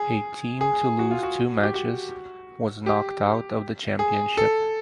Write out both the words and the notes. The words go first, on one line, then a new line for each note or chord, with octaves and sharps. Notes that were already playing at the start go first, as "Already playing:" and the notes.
A team to lose two matches was knocked out of the championship.
Already playing: G#4
G#4
F#4
F4
F#4
G4
F#4
G4
G#4
A4